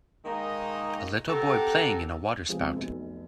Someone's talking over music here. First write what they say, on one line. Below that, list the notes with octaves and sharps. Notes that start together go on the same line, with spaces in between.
A little boy playing in a water spout.
D#3 G#3 A#3 D#4 D#5
C4 G4 A4 A#4 F#5
C3 F3 G#3 B3 C4
F1 B1